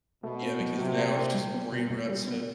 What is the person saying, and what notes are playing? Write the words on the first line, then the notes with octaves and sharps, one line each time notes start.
Yeah, because now it's just brain rot stuff.
B2 A3
C4
F#3
C3 F#4
A3
C4
G3
B3
B2
B2
G3
B3